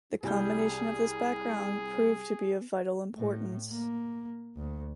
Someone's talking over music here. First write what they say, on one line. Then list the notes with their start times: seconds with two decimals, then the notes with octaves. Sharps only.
The combination of this background proved to be of vital importance.
0.23 C2 G3 G#4 G6
3.16 A2
3.72 A#3
4.57 D2